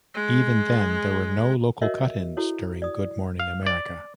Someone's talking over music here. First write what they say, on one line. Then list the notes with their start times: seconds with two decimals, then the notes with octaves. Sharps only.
Even then, there were no local cut-ins during Good Morning America.
0.14 G#3
1.82 F#4 A#4 C#5 D#5 E5
2.37 E4 F#4 A4 C#5
2.82 D5 D#6
3.40 F5
3.67 D5